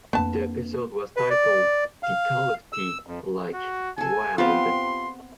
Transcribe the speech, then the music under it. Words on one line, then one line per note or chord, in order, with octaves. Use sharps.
The episode was titled "The Call of the, Like, Wild".
F2 A#3 B3 D4 A5
B4
D5
F5
E6
F2
F#4
G#4 A4 G#5
B3 C4 F4 G4 B4 C5 C6